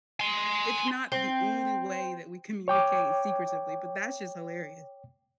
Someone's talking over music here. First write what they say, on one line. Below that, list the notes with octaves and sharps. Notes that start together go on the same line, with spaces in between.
it's not the only way that we communicate secretively, but that's just hilariou
G#5 C6
C4
C#5 G5 D6